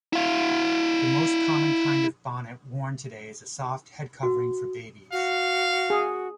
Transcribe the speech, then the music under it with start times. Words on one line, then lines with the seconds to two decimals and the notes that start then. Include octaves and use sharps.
The most common kind of bonnet worn today is a soft headcovering for babies.
0.13 E4 F5
4.23 F#4
5.12 F#4 F5
5.90 G#4